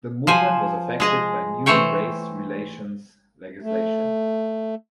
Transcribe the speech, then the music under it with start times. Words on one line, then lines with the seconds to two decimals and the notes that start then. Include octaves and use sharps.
The movement was affected by new race relations legislation.
0.27 F3 C5 G#5
1.00 G#3 G#4 D#5
1.66 E3 A3 C5 C#5 G5
3.62 A3